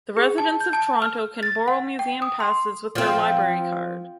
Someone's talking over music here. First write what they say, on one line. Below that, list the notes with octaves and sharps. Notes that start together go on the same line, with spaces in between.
The residents of Toronto can borrow museum passes with their library card.
G#4
A5
G6
A5
F6
A6
F#5
G5
D#6
C6
F3 C4